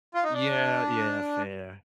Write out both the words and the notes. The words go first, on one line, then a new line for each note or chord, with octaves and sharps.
Yeah, yeah, fair.
F4
D#4
D4